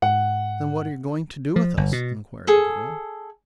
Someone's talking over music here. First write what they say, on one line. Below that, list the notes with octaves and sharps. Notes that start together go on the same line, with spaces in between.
"Then what are you going to do with us?" inquired the girl.
G#2 F#5
F3
G1
B2
G#4 A4